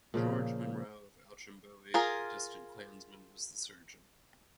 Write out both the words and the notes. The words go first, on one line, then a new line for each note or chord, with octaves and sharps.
George Munro of Auchinbowie, a distant clansmen, was the surgeon.
A#2 C#3 F3
F4 G#4 A#4